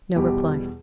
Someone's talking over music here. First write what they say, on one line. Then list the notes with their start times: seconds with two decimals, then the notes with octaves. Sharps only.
No reply.
0.16 E2 B2 G3 G4